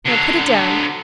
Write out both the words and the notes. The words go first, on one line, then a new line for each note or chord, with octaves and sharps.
Now put it down.
D3 F#3